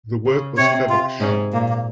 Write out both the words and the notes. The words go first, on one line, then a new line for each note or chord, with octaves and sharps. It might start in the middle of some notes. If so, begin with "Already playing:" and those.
The work was feverish.
C#3
C3 C#5
F4
G#2 C#4
A#2 A#3
A#3